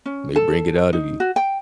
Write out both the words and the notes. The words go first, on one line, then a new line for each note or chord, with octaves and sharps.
they bring it out of you.
C#4
A4
D#4
F#4
G5